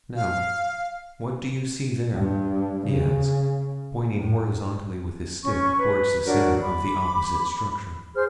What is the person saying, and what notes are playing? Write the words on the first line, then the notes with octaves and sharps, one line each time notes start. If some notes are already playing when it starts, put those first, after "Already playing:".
'Now, what do you see there?' he asked, pointing horizontally with his stick towards the centre of the opposite structure.
F5
G2
C#3
A2
C#4 C#6
B4
D4 F#4 A#4 C#5
B5 D6
G#4 C5 F6